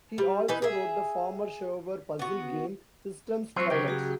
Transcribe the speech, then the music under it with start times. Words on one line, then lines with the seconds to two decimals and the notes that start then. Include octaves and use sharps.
He also wrote the former shareware puzzle game "System's Twilight".
0.18 G3
0.48 E3 D#4 B4
0.62 G#4 E5
2.19 B3 F#4
3.56 F#3 C4 F4 C5 C#6
3.71 C#3 F#3 G4 B4
3.88 F#4 G#4